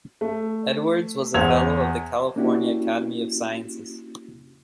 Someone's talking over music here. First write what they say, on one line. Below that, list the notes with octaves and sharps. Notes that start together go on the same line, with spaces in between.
Edwards was a fellow of the California Academy of Sciences.
A3
E2 C5 F#5 G#6 F7
A#3 C#4 D4 E4 F#4 G4